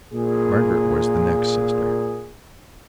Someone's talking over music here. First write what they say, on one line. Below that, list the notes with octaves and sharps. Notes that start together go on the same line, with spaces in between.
Margaret was the next sister.
A#2 G#4